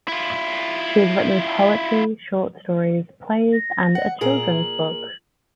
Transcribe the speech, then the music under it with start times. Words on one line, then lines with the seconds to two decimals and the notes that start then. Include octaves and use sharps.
She has written poetry, short stories, plays, and a children's book.
0.08 E4 F4
3.53 A#6
3.95 F#5
4.21 A#2 G#4 A#4 F#7